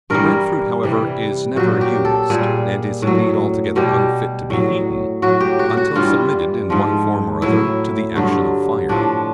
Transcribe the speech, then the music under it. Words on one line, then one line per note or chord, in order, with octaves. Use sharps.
The bread-fruit, however, is never used, and is indeed altogether unfit to be eaten, until submitted in one form or other to the action of fire.
G2 E3 G3 A#4
C3 E3 G3
A#2 F#3 F#4
G4
A4
A#2 G3 G#4
A2 F#3
B2 G3 G4
A2 F#3
A2 F#3 F#4
G4
F#4
F#4
G2 E3 G3 F4
G#2 F3
A2 F#3 E4
G2 D3 F#3
A2 F3 D4